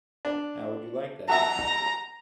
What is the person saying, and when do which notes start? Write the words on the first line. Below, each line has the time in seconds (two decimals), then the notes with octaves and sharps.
How would you like that?
0.25 D4
1.29 F#4 E5 A5 A#5